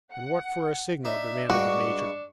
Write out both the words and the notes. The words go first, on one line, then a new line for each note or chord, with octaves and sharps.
"And what for a signal?" demanded the major.
F#5
D4 D#4 E5
G2 G3 G#3 F#4 C#6